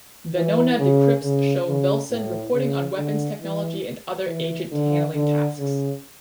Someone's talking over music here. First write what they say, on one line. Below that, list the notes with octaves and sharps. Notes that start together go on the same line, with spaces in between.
Venona decrypts show Velson reporting on weapons technology and other agent handling tasks.
E3
C#3
C#3
C#3
A2
C#3
D3
E3
E3
D3
D3
C#3